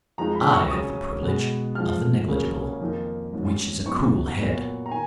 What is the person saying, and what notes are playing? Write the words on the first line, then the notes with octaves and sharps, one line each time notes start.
I have the privilege of the negligible--which is a cool head.
F2 F3 G#3 D#4 A#5
B5
C#6
C#6
C#3 F#3 C#4 D#6
B2 G#3 B3
F2 F3 G#3 F6
C#3 F#3 A#3 C#4
F2 D#3 A#3 D#4
G#2 F#3 C#4
F#2 F3 B3 D#4 C#6
A#2 F#3 B3
A#5
D#3 G#5